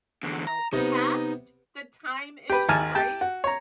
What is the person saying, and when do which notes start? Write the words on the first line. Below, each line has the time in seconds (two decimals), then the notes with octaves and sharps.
you know, past the time issue, right?
0.23 E2 D3
0.47 A#5
0.73 C3 B3 D#4
2.50 G4 B4
2.69 G#1 D#2 G#5 A5 F6
2.95 G4 G5 A5
3.21 F#4
3.44 C#5 A#5